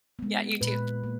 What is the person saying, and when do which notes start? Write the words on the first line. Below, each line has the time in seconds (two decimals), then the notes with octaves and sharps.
Yeah, you too.
0.19 G#3 B3
0.61 A#2 B4
1.04 A#3